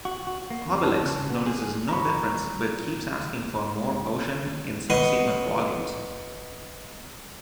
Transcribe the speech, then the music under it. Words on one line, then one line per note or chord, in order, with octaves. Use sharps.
Obelix notices no difference, but keeps asking for more potion in subsequent volumes.
F#4
F#4
A#3
F2
A5
C#3
B3
G#4
A#5 B5 C#6
B4 D#5 F#5 C6 C#6 D#6